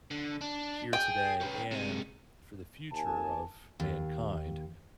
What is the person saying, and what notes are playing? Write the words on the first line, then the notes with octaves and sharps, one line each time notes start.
here today and for the future of mankind.
D3
D4
G#4 G5
C#4 B4
C3 G#3
D#2 G#5 A5
D#2